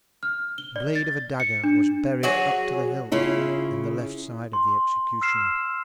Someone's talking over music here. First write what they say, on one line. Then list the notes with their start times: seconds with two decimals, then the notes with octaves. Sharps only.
The blade of a dagger was buried up to the hilt in the left side of the executioner.
0.23 F6
0.58 G7
0.76 D5
0.96 A6
1.40 C#7
1.64 D4
2.23 F#3 F#4 G#4 C#5
3.12 C#3 E4 F4
4.53 C6
5.22 E6 F6 C7 E7